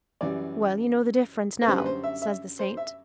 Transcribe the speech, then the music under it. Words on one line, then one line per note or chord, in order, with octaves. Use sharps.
"Well, you know the difference now," says the saint.
F#2 E3 G3 D5
B4
F#2 D3 G3 C5
B4
C5
E5
E5
C5
E5